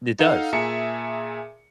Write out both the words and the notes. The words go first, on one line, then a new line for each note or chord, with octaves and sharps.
It does.
D#4 A4 F5 F#5
A#2 G#4 E5 A5 A#5 C#7